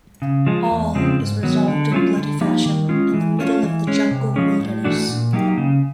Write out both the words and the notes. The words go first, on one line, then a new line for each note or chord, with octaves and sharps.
All is resolved in bloody fashion in the middle of the jungle wilderness.
C#3
F3 G#3
E2
C#3 F3 G#3 C4
G#2
D#3 F#3 B3
D3
F#3 A3 C#4 F4
D3
F3 A#3 D#4 G4
D#3
G#3 C#4 F4
E3
A3 C#4 F4
E3
G#3 C#4
C3
F3 G#3 C#4
A2
E3 A3 D4 F#4
A#2
F#3 A#3 D#4 G4
C#3